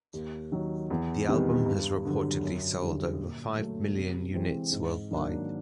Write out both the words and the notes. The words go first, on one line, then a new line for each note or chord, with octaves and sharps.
The album has reportedly sold over five million units worldwide.
D#2
D#3 F#3
E2
C3 D#3 G3 B3
G2
D3 F#3
F#2
D3 G3
A#2
F#3 A3
C3
E3 G#3 C4
G#2
D#3 F#3 A#3 D4